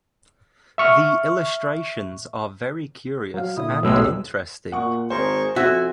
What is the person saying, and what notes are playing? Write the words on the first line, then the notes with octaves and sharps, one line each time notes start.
The illustrations are very curious and interesting.
E5 C#6 F6
F#3 F5
A#2 D3 E4 D#6
B1 E2 A2 G#3 A3 E6
A#2 F#5 C#6
G#1 G#4 A#4 C5 C#6
F2 F#4 E5 G#5